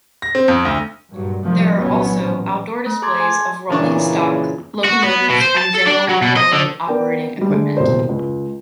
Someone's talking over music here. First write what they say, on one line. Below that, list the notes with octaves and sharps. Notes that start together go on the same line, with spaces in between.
There are also outdoor displays of rolling stock, locomotives and general railroad operating equipment.
A#6
C4
F2
D2
G2 A#2 F#3
A2 C3 D#3 F3 G3 A3
C2 A#2 E3 F#3 B3 C#4
A1
A3
G#4 A5 C6 D6 G#6 A6
G#5 C6 G#6
A1 A#2 C#3 E3 D4 C#6
F#4
B3
B2
C5
A5
A4
D4
F#3
B2
D#5
D3
B3 A#4 D5 G5
F#3 G3
D3 G#3 A3
D#1 C2 B2 C5
C#2